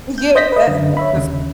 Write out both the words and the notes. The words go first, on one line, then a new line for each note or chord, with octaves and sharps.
Yeah, that that's just
G6
C5 D#5 G6 A#6 B6
B4 D#5
F#2 D3
C#5 E5 B5
D#2 C#3